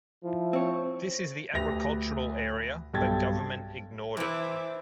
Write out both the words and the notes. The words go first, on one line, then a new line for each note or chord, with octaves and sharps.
This is the agricultural area but Government ignored it.
F3 E4
C4 C#5
D2 G4 B4 A#6 F7
B1 G2 A4 G5 G#6 A6
E3 D4 E4 C5 E5 D6